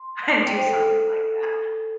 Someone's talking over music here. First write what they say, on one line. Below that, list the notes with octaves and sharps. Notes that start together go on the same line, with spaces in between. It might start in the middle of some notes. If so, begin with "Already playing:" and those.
and do something like that.
Already playing: C6
G5
C5
A4
A4